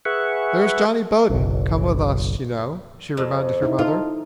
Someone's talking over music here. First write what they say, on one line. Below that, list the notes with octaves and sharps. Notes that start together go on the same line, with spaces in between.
"There's Johnny Bowden come with us, you know," she reminded her mother.
G#4 B4 E5 F#5 C#6
F#1 B1
F2
D#4 E4
D#4 F4 A4